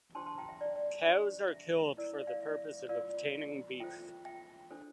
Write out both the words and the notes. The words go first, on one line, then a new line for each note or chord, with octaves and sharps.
Cows are killed for the purpose of obtaining beef.
D4 G4 C5 A5 C6
A5 C6
G5 A#5
E5
D5
D5
D4 G4 C5
E5
E4 A#4 D5
E5
D5 F5
E5
F4 A#4 D5 F5
F4 A4 C5 E5 G5
E5 G5
D4 A4 C5